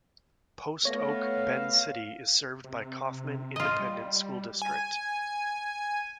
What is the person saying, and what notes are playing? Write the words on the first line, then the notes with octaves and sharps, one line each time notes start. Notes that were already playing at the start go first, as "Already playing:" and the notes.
Post Oak Bend City is served by Kaufman Independent School District.
A3 B3 C#5 F5 A#6
C3
F4 D#5
G3
G#5